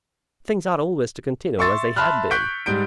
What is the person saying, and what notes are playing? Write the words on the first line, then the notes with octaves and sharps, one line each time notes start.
Things ought always to continue as they had been.
E5 C6 C#6 E6 A6
E5 A5 B5 C6 F6 F#6
C#6 F#6 G6 B6 D7
G#2 G3 G6 D7